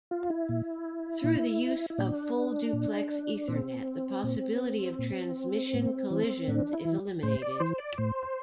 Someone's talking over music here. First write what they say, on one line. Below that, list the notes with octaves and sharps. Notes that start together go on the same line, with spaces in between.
Through the use of full-duplex Ethernet, the possibility of transmission collisions is eliminated.
F4
E4
A#2
A#2
E4
A#2 D4
A#2
A#2 C4
A#2
A#2
A2
E3
A2 D4
E4
E3
A2 C5
D5
E3 C5
D5
A2 C5